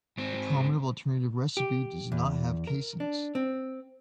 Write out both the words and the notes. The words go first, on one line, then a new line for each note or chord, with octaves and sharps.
A common alternative recipe does not have casings.
G#2 C4
G4
E2
A#4
D4
C4